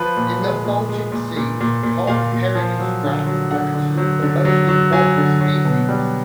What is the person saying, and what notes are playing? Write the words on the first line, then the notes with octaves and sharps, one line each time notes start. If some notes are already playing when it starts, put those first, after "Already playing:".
In the Baltic Sea, cod, herring, and sprat are considered the most important species.
Already playing: F3 B4
A#2
G#3
A#2
G#3
A#2
A#2
A#2
A#2
A#2 F5
A#2
F3
F#3
D3
F#3
D3 F#5
D3
F#3
D3
F#3
F#3
F#3 G#5
D3
F#3
B2
G3